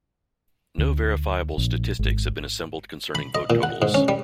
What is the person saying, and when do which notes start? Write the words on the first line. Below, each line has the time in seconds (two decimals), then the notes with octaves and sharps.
No verifiable statistics have been assembled concerning vote totals.
0.78 D2
1.58 A#1
1.99 G#1
3.15 B5
3.35 D#5
3.50 A#2
3.63 F#5
3.82 G#2
3.94 C#4
4.08 G3